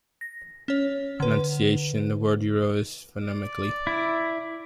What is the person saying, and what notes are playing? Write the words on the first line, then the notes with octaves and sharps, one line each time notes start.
Pronunciation: The word "euro" is phonemically.
A#6
C#4 C#5
D3 B4
D5
E4